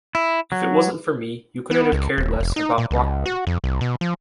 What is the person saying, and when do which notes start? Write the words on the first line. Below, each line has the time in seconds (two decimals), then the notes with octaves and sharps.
If it wasn't for me - you couldn't have cared less about Rachman.
0.15 E4
0.52 F#3
1.71 B3
1.92 C#2
2.18 D#1
2.40 F1
2.56 D#4
2.78 A#2
2.91 C#2
3.26 F#4
3.47 F2
3.64 C2
3.81 B2
4.01 F3